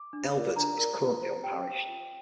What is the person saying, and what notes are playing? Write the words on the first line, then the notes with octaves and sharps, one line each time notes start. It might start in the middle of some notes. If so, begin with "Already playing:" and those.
Elvet is currently unparished.
Already playing: D6
D4
F4 A#4 D5
D4 A#5
A#4 D5
F4
C5
G4 G5
C5
F4